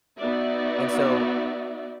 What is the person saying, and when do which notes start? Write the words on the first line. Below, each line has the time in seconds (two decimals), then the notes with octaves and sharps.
And so,
0.18 B3 D#4 F#4 D5 E5